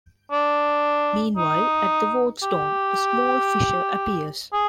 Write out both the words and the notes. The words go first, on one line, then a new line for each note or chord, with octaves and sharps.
Meanwhile at the wardstone a small fissure appears.
D4
D#4
G4
G#4